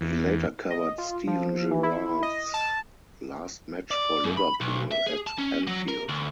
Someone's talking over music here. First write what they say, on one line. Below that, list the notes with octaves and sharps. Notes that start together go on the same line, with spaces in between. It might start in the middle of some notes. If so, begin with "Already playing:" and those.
He later covered Steven Gerrard's last match for Liverpool at Anfield.
E2
D#5
F4
F3
E3
E4
D#5
A5
D5
F#2
B5
B1
E5
G#4
A5
C#4
F#3
A#4
D2